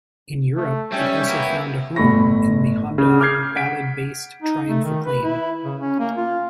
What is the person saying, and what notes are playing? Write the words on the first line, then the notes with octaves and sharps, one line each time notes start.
In Europe it also found a home in the Honda Ballade-based Triumph Acclaim.
A3
G3 C#4 C#5 E5 G5
A#3 B3 E4
G1 A2 A3 B5 C#6 A#6
C#3
D6 F6 G6 G#6 C7
F#5 B6 D7
D#4
A3
D#3
B4
E4
C#3
C#4
A#3
F4